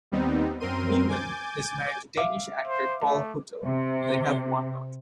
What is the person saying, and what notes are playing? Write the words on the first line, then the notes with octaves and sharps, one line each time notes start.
Neumann is married to Danish actor Paul Hüttel; they have one daughter.
D#2 G3 B3 C4 D#4
F#2 C4 A#4 C6 D#7
G#5 D6 G6 A6
E5 F5 D6
C5
A3
C3